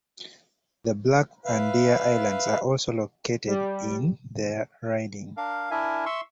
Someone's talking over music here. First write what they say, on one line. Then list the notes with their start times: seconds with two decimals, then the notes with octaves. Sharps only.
The Black and Deer Islands are also located in the riding.
1.46 B4 E5 F5
3.47 G3
5.37 D4 A#4 F5
5.71 D4 E4 A#4 E5 G#5
6.06 E5 C6 C#6 E6